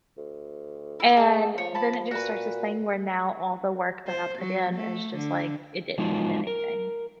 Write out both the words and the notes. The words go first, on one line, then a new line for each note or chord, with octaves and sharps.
and then it just starts this thing where now all the work that I put in is just, like, it didn't mean anything.
D2
E4
G#3 A3 A5
F3 C#5
A5 B5
A#2 F#4 B4
C5
F#3
A3
D3
F#3 G#3 D#4 F4
A#4